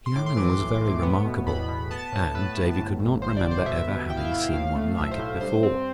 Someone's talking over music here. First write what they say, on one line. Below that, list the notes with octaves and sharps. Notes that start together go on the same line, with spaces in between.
The piano was very remarkable, and Davy could not remember ever having seen one like it before.
C6
A2 D6
C6
E3 D6
C6
B1
A2
B3
B2
E2 B5
B2
B3 A5
A2
A2 B4
A2
G1
G1
G1 C5
D5
G1
C5
B2 E5
B3
E4 G5
F5
E5
E4 F5
A2 F5
A3
B1 E5
C5
A2
G2 C5
C4